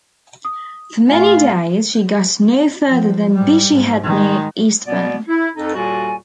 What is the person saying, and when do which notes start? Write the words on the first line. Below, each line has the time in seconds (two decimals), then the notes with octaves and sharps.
For many days she got no further than Beachy Head near Eastbourne.
0.45 D#6
1.09 A2 A3 F4 G#5
2.86 F3
3.34 G#2 G3
3.71 G#2
4.04 D#3 G#3
4.87 B2 G3 B3 D5
5.28 E4
5.56 F2 D#4 A4
5.75 D#2 A#2 G3 F#4 A4 G#5